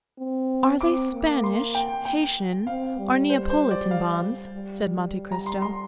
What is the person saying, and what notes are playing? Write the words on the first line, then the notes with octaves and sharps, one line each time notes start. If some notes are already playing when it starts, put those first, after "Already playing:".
"Are they Spanish, Haitian, or Neapolitan bonds?" said Monte Cristo.
C4
C4 D6
A#3
C6
G5
G5
C4 F5
G3
C5
C5
D5
F5
G3
A#5
C6
C6